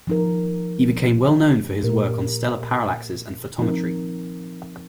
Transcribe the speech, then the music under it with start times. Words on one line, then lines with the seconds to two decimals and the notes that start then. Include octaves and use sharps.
He became well known for his work on stellar parallaxes and photometry.
0.07 F3 D#4 A#4
1.83 A#2 A#3 G4 A#4
3.59 F3 C4 D#4 A#4